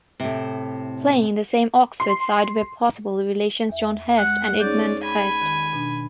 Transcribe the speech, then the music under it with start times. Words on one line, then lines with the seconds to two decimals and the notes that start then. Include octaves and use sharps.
Playing in the same Oxford side were possible relations John Hurst and Edmund Hurst.
0.20 A2 C3
2.00 C6
3.69 E2 E5
4.17 G#3 F#5
4.60 C#4 D#4 G#4 D5 G6
5.02 G#5 B5
5.41 D#3
5.73 B2 D4